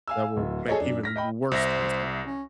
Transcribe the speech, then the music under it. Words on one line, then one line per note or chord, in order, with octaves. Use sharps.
that will make even worse things happen
F5 G#5 E6
D1
G#4 A4 C#5 D#5
F#2 D4
F6 A#6 B6
D#5 G5 B5
C2 C5 E5 A#6
C#4